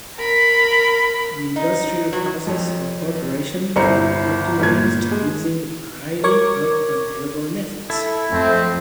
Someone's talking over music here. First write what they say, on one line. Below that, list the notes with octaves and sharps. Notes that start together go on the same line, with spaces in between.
The industrial process or operation can be optimized using a variety of available methods.
A#4 B5
D#4
F#3
F2 C#5
G1 C2 E4 C5 A#5 C#7
G1 A#2 G#6
G#3
A#4 C#5 C#6 D6 G#6
E4 A4
F2 A3 C4